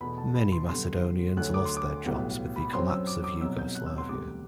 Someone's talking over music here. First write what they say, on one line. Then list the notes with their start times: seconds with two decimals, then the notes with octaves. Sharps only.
Many Macedonians lost their jobs with the collapse of Yugoslavia.
0.01 E2 B2 A3 B5
0.18 A5
0.35 B5
0.52 C6
0.69 F#2 D3 G3 B3 C6
1.37 D2 D3 F#3 F#6
1.54 D6
1.65 C6
1.77 D6
2.05 B1 A2 G3 B3
2.56 B5
2.73 F#2 F#3 C4 C6
2.90 E6
3.07 D6
3.24 D6
3.41 C2 B2 F#3 B3 E6
3.58 G6
3.75 F#6
3.86 E6
3.98 C6
4.09 E1 D2 C3 G3 B3 D6